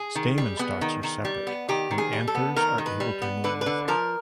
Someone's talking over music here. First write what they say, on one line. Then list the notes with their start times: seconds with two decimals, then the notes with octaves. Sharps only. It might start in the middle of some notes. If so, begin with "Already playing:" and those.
Stamen stalks are separate, and anthers are able to move.
Already playing: G#4
0.15 D#3
0.38 G3
0.59 B3
0.81 D#3
1.03 D#3
1.25 G3
1.47 B3
1.69 D#3 G4
1.91 D#3
1.98 G#4
2.13 G3
2.27 A4
2.35 B3
2.56 D#3 A#4
2.78 D#3
2.86 B4
3.00 G3
3.22 B3
3.44 D3 B4
3.61 B4
3.66 D3
3.88 F3 A#4